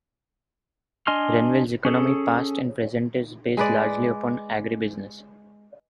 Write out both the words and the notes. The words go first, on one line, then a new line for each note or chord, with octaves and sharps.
Renville's economy, past and present, is based largely upon agribusiness.
D4 D#5 G#5 C6 F6
C#4 G#4 A4
G#3 B4 D5